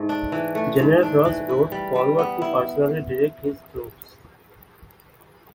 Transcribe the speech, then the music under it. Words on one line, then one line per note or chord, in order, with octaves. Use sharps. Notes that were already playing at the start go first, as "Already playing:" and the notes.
General Ross rode forward to personally direct his troops.
Already playing: G#2 A3
D4
E3
A3
G#2
D4
E3
E4
G3
G3
B3
E4